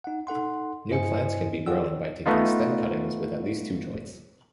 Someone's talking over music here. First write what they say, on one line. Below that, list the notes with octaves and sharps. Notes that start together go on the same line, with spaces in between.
New plants can be grown by taking stem cuttings with at least two joints.
D#4 F#5
D#4 A4 F#5 C6
G2 E4 C5 D#5 G#5 C#7
F4 G#4 D5 F#5 G5 E6
A3 B3 D#4 F4